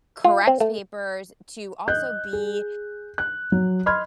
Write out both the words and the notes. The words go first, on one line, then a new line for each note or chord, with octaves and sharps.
correct papers, to also be,
F4
C4
A3
D#5 F#6 G6
G#4
F#6
F#3
D#5 B5 C6 F6 G#6